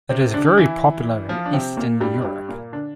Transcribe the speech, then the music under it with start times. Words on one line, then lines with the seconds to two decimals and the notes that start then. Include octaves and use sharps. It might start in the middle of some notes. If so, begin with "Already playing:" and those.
It is very popular in Eastern Europe.
0.09 C3 C4
0.34 D3 D4
0.57 E3 E4
1.29 F3 F4
1.46 D4
1.53 C3 C4
1.77 A#2 A#3
2.01 G2 G3
2.25 G2 G3
2.49 A#2 A#3
2.72 D3 D4